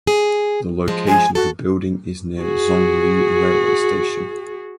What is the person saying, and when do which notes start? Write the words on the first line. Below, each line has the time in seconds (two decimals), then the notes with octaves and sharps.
The location of the building is near Zhongli railway station.
0.07 G#4
0.88 F3 G#3
1.08 G#5
1.35 F#4 A4
2.40 F#4 G#4